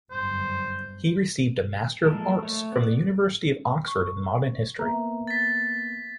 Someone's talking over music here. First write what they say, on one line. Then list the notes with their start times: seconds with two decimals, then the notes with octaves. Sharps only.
He received a Master of Arts from the University of Oxford in Modern History.
0.11 G1 F#2 C5
2.04 F3 G#3 A#3 A4 A#4
2.43 A3 C#5
2.72 B3 D5
3.87 C#6
4.79 A#3 B3 E5 A#5
5.27 A6 B6